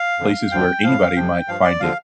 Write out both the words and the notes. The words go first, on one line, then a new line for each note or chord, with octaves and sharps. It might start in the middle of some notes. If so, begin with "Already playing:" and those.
places where anybody might find it,
Already playing: F5
F2 D3 F3
D2 D3 F3 G5
A2 F3 F5
F2 C3 F3 G5
G2 F3 F5
D5
D3 F3 F5